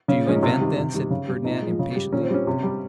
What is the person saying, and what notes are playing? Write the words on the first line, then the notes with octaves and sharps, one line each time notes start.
"Do you invent, then," said Fernand impatiently.
C#3 C#4
F3 G#3 C#4
D#4
C3 F4
D#3 G3
C3
D#3 G3
C#3
G3
A#2 D#4
G#3
F3
C#3
G3
A#2 C#4
C4
G3 C#4
C3
G3